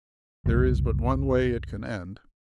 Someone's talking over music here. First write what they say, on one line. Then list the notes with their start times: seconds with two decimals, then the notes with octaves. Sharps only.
There is but one way it can end.
0.46 F#1 C2